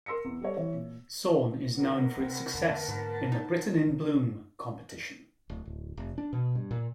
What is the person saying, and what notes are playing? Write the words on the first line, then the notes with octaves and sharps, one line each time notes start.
Sorn is known for its success in the Britain in Bloom competition.
A#4 C6 E6 A#6 C#7
E2
G3 G4 A4 C#5 D5
E3 C#5
A#2
A#4 B4 F#5
C3 A#3 C4
E2 D3 A#3 A5
G#2
F#3 D#4
D3 F4
D1
D1
F1
D4
B2
G2
A#2